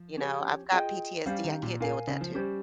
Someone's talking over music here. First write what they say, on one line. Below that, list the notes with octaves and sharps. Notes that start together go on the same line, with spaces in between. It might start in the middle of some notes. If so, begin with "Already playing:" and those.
you know? I've got PTSD, I can't deal with that too.
Already playing: F3
C#4 G4 C#5
F4 G#4 D#5 G5
G3 C#4 G4 C5 F5
D#3
A#2
A#2 A#4 F5 G#5
C#3
F3
G3 C#4 G4 C5